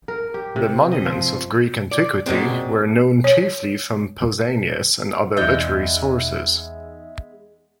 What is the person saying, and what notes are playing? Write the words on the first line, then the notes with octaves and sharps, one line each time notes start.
The monuments of Greek antiquity were known chiefly from Pausanias and other literary sources.
A#4
G4
C3
D#5
F3
D5
F#2 A#2 G#3 C4
C#5
E2 G#3 B3 D#4 D5 E5 G6 G7